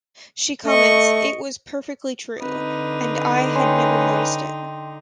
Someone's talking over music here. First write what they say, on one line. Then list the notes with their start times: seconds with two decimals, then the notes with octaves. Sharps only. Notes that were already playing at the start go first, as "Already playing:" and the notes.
She comments It was perfectly true; and I had never noticed it.
0.65 A3 D#5 C#6
2.42 D3 C4 D#4 B4
3.56 C#4 G5 C6